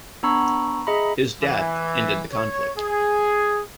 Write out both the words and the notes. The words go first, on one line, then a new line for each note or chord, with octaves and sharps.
His death ended the conflict.
B3 D4 A#5 B5 C#6 E6
G#4 D#5 E5 A#5 B5
E3
C#5
G#4